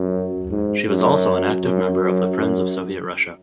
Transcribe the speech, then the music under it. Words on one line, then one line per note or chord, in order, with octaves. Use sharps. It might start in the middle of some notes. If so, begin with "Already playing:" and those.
She was also an active member of the Friends of Soviet Russia.
Already playing: F#2
G#2
F#2
F#2
F#2
F#2